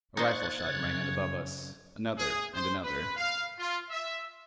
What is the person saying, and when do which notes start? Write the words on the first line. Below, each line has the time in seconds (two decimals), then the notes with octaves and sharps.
A rifle-shot rang out above us; another and another.
0.17 D#4 C5 C#6 F#6 G#6 A6
0.65 F#2 C#3 C#5
2.17 G#4
2.54 C5
2.84 B4
3.17 F5
3.59 F4
3.90 E5